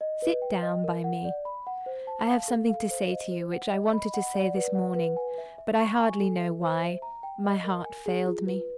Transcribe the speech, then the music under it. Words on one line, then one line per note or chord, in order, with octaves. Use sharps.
Sit down by me. I have something to say to you which I wanted to say this morning; but, I hardly know why, my heart failed me.
D#5
B4
G5
D#5
A#4
F#5
D5
B5
F#5
C5
A5
F5
A4
F5
C5
D#5
C5
F#5
D#5
B5
F#5
D5
B4
F#5
B4
G#5
E5
E5
C#6
G#5
A4
E5
C5
E5
A#5
G5
D#5
A#4
G#5
G#4
F4
B4